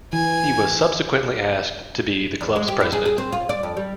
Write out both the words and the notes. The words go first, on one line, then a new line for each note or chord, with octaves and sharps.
He was subsequently asked to be the club's president.
E3 G#5
E2
G#3
G4
E4
G#4
G#4
C4
F4
D5
F2
G3